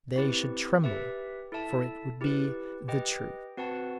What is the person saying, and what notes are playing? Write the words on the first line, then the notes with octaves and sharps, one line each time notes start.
They should tremble, for it would be the truth.
C4 E4 G4 B4
G4 B4 E5
E4 A4 E5 A5
E4 G4 B4
G4 B4 D#5 G5
C4 F#4 B4 F#5 A5